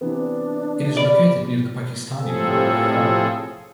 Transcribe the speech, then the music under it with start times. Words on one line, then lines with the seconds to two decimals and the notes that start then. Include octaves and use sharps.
It is located near the Pakistani border with Iran.
0.01 C3 E3 B3 D4
0.97 D5 B5
2.20 A2 C3 F3 C4 G#4 A4